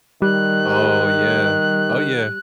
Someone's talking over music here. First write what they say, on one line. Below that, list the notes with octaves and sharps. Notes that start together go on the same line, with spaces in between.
Oh, yeah. Oh, yeah.
D#3 G3 F#6